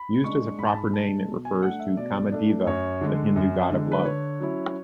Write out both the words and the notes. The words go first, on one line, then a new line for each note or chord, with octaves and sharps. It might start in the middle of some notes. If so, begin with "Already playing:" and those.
Used as a proper name it refers to Kamadeva, the Hindu god of Love.
Already playing: B5
G#3 D4 C#6
G#2 B5
A5
B5
G#3 D4 A5
B2
G#5
A3 D4 F#5
E5
B2 D5
A3 D4
F#2 C#5
D3 G#3
F#2
D3 G#3
B4
D3 C#5
F#3 C#4 E4